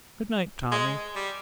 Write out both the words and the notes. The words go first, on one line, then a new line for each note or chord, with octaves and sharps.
Good-night, Tommy!'
G#3
G3